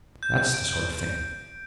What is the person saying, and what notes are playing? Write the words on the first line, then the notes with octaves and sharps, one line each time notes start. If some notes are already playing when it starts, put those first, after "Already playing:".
That's the sort of thing!'
G6
G6
D7
G6